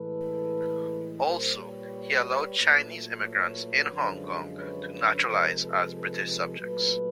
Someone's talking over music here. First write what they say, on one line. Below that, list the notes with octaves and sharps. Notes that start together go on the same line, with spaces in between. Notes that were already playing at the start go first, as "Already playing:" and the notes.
Also, he allowed Chinese immigrants in Hong Kong to naturalise as British subjects.
Already playing: A2 E3 G#3 A4 B4
A#2 G3 A#4 C5
B4 C#5
A#2 F#3 A3
B4 C#5
F#2 D3 F3 G#3
B4 C#5
B4 C#5
C3 F3 G#3 A#4 C5
A4 B4
A4 B4
A4 B4
A#2 F#3 A3 A4 B4